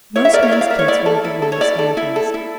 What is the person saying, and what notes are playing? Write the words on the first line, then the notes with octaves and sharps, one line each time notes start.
Most men's kits were of the very scantiest.
E4 C#5
E5
A#4 D5
C#5
E4 D5
F5
A#4 E5
C#5
E4 D5
A4
E4
A4
C#5
E4 D5
A4
E4
A4
E4